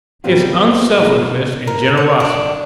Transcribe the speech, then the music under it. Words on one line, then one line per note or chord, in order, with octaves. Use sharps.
His unselfishness and generosity?
G#2 G3 B3 C4 D#4 F4
B3 D#4 E4 G#4 A#4 B4
A#4
C#5
D4